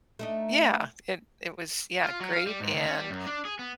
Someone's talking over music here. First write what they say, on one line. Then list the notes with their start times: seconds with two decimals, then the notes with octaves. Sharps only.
Yeah, it it was yeah, great, and
0.19 A3 D4 D#4
2.03 F4
2.20 F#3
2.33 F5
2.47 G3
2.60 G#2
2.74 D2
2.86 C#4
2.98 G3
3.10 F#2
3.26 D4
3.45 G#4
3.59 B3